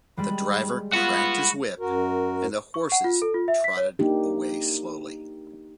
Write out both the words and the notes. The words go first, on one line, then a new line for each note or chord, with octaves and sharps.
The driver cracked his whip and the horses trotted away slowly.
G3 G#3 B5
F4 F#4 F#5 B5
F#2 F#4 A#4
C#6
F#5
F4
A4
F4
E5
B6
C#5
A#3 D4 D#4 G4